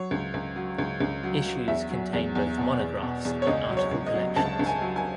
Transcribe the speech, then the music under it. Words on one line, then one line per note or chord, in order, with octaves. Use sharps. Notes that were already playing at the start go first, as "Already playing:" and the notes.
Issues contain both monographs and article collections.
Already playing: F#3 C#5
C#2
C#2
F#3
C#2
C#2
F#3
F#3
E2 E5
F#3
E2
E2
B2
E2
B2
E2
C#5
C#2 D#5
F#3
C#5
C#2
D#5
F#3
C#2 A5
C#2
G#5
F#3
G#5